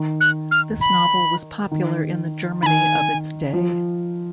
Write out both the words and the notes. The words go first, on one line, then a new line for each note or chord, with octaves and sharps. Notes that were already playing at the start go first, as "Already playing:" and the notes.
This novel was popular in the Germany of its day.
Already playing: D#3
F#6
F6
B5
D#3
D#3 G#5 B5
F3